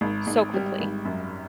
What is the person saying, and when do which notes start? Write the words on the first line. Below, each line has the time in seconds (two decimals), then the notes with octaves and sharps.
so quickly.
0.01 G#1
0.27 G#1
0.54 G3
0.80 G#1
1.05 F#2